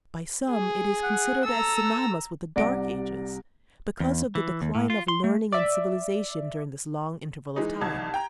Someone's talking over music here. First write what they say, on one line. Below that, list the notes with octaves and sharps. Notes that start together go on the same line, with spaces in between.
By some it is considered as synonymous with the Dark Ages, because of the decline of learning and civilization during this long interval of time.
G#4
F#5
A4 A#5 E6
C2 C3 D5 F#5 A#6 D7
E2
E3
D#2
A2
F4
C6
A3
D5 E5
E3 G#3 D#4
C2 D#4 A5 G#6
G5 A#5